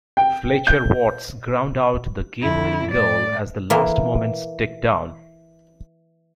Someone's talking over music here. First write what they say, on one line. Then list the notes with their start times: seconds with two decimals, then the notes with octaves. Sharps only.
Fletcher Watts ground out the game-winning goal as the last moments ticked down.
0.17 G5
0.67 G6
2.41 F2 E4
2.92 A2 D5
3.70 E3 A#3